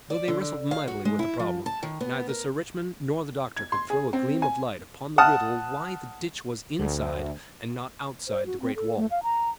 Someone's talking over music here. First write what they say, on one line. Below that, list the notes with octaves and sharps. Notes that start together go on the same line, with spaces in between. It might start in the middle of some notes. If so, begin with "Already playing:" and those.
Though they wrestled mightily with the problem, neither Sir Richmond nor the doctor could throw a gleam of light upon the riddle why the ditch was inside and not outside the great wall.
D5
D3
F5
F#4
G#3
E4
F3
A5
D#3
B3
A#4
G#6
C6
G#4
C4
G#5
F#5 A5 D#6 F6
D2
C5
F#4
C4
A4
A3
F5
A#5